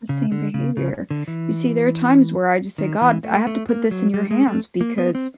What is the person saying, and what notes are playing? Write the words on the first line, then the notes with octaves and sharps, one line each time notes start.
The same behavior. You see, there are times where I, just, say, "God, I have to put this in your hands because
C#3
D3
C#3
C#3
D3
E3
D#3
E3
A3
A3
A#3
F#3
G3
G#3
A3
A#3
B3
C4